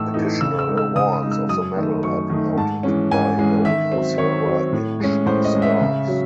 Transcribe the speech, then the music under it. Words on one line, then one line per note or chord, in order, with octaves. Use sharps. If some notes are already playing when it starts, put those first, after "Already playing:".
Additional awards of the medal are denoted by gold or silver inch stars.
Already playing: A2 E3 A3 D#4 E6
E3 A3 D#4
C#3 E6
E6
G#3 D#4
E6
C#3 D#6
D#6
G#3 D#4
E6
F#2 D#6
D#3 A3 D#4
F#2 C#6
D#3 A3 D#4
G#2 A5
E3 G#3 C#4
G#2 G#5
E3 G#3 C#4
D#3 E5
F#3 C4
D#3 C#5
F#3 C4
A2
G#3 C#4
A2 C5
D#5
G#3 C#4
E5
C#3
F#3 C#4